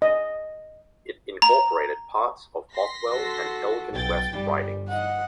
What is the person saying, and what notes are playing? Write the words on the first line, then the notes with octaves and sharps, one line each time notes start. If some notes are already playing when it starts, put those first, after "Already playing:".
It incorporated parts of Bothwell and Elgin West ridings.
D#5
A#5
C6 A#6 B6
F#4 A4
B1 G5 A6
G1 G3
D#5 F#5